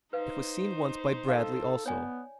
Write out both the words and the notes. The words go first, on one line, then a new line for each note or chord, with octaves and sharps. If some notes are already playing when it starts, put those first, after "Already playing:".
It was seen once by Bradley also.
D#4 B4 C5 F5
A4 D#5 F5
B3 C#5 D5 G#5